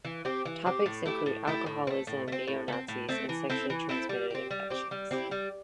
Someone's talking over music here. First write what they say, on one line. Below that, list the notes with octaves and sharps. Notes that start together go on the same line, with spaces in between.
Topics include alcoholism, Neo Nazis and sexually transmitted infections.
E3
C4 G4
E3
C4 G4
A2
A3 E4 G4
A2
A3 E4 G4
A2
C4
A3
A2
A3
C4
A2
A3
C4
A2
A3 C4
E3
C4 E4 A4
E3
C4 E4 A4
G3
C4 G4
G3
C4 G4
G3
C4 E4 G4
G3